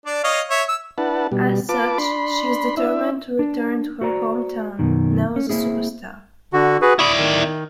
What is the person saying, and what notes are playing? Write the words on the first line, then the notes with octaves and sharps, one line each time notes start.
As such, she is determined to return to her hometown, now as a superstar.
D4 D5
C#5 D#5 F5
C#5 E5
E6
D4 E4 B4 F#5 A5
B2 G3
F4 B4 A5 D6
D4 B5 C6
D4 E4 E5
D4
F#4 C5 D5 A#5
F#2 B2 D#3
C#4
A#3 C4 E4 G#4
D3 F#4
F#4 G#4 B4
E4 D5 B5 C#6 D#6
D#3